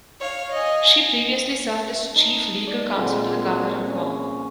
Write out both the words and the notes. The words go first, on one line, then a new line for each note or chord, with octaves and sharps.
She previously served as Chief Legal Counsel to the Governor of Guam.
C#5 F5
D#5 G#5
D#4 A5
D5
A#2 D3 G#3 C4
D4
C#4 G#4